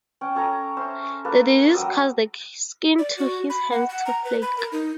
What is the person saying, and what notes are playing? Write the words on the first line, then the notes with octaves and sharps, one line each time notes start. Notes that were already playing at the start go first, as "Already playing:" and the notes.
The disease cause the skin of his hands to flake.
C#4 G5
C#4 A4 C#5 A#5
C#4 C5 E5 C6
A#3 A4 B4
F#3 G5 D#6 E6
D5
F#4
B5
F#5
F#5
A#5
B4
B5
A#4
D#4